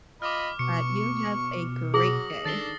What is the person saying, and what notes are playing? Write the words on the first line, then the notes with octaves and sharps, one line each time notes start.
Right. You have a great day.
F4 D#5 B5 D6 F6
B2 C#6 C#7
F#3 G#4 D#6 A#6 F#7
D#3 D4 A4 A5 A6 C7 G7